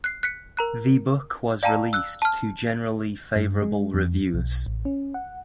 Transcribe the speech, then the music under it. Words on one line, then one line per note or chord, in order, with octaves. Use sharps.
The book was released to generally favorable reviews.
F#6 C7
F#6 B6 C#7
A#4 A#5 F#6
D5 F5 G5 A5 A#5
E6 F#6
A5 F6
G2
G#3
F2
B1
A1
C#4
F#5